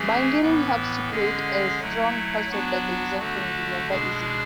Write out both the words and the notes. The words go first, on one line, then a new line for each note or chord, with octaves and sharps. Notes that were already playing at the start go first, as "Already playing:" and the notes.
Mungeing helps to create a strong password that the user can remember easily.
Already playing: E3 A3 C#4 G#4
A2 E3 B3
D3 G#3 C#4 G#4
F#3 A3 E4
F#3 B3 D4 F#4
D3 A3 D4 F#4
B2 G#3 D4 G#4